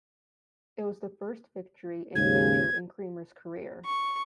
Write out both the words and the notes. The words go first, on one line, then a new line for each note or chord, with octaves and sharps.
It was the first victory in a major in Creamer's career.
D#2 G#2 C#3 G#6
C#6